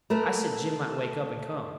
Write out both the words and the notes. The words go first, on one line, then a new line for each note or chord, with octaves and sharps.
I said Jim might wake up and come.
A3 A#4 B4